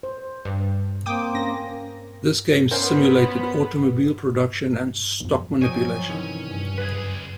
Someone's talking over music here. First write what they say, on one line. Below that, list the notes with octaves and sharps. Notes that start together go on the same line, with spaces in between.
This game simulated automobile production and stock manipulation.
C5
G2
A#3 C4 G5 D6 D#6
C#4 A#4 A#6
B3 C#4 A#4 C5
B1 F2
F3 F#3 C#5 D#5 G5 G#5
C3 D#3 E3 C#4
G2
C#2 F#2 G#4 B4 G#5